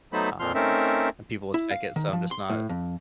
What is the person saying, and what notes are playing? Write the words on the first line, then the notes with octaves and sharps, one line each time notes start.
um, and people would check it, so I'm just not
F#3 A3 B3 D#4 C5 B5
F2 A#2 F3 C6 F6
A3 C4 C#4 D#4 A#4 E5
E4
F5
D#3
F3
C6
A2
F2